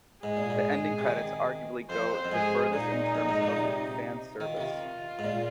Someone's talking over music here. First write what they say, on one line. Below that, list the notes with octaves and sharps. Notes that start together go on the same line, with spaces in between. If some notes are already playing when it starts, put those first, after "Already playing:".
The ending credits arguably go the furthest in terms of fan service.
G#2 G#4
A#2
G#2
C3
D#3
F2 C5
F2
G#2 G#4
A#2 D#4
F2
G#2
A#2
C3
D#3 F4
C3
D#3
G#2
A#2